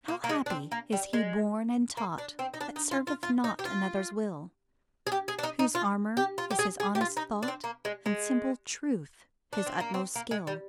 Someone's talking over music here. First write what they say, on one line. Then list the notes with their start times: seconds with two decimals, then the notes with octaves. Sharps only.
How happy is he born and taught That serveth not another's will; Whose armour is his honest thought And simple truth his utmost skill!
0.08 A#3
0.24 A#3
0.29 G#3
0.46 D4
0.50 C4
0.72 A#3
0.92 G3
1.13 G#3
1.97 A#3
2.18 D4
2.39 C4
2.54 D#4
2.61 D4
2.76 D#4
2.91 F4
3.07 F4
3.23 F4
3.44 D#4
3.59 G4
3.65 F4
5.07 G#4
5.12 G4
5.28 G#4
5.39 D4
5.43 D#4
5.59 D#4
5.75 F4
6.17 G4
6.38 F4
6.51 G4
6.59 G#4
6.80 G#4
6.95 G4
7.01 F4
7.17 D#4
7.43 D4
7.48 C4
7.64 A#3
7.85 G#3
8.06 G#3
9.53 D4
9.66 C4
9.80 A#3
9.94 C4
10.15 A#3
10.31 G#3
10.47 G3